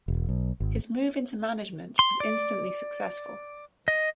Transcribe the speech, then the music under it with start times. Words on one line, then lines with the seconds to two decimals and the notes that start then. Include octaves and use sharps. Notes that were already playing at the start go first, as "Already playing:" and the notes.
His move into management was instantly successful.
0.08 E1
0.29 B1
0.60 G#1
1.99 C6
2.20 D5
3.88 D#5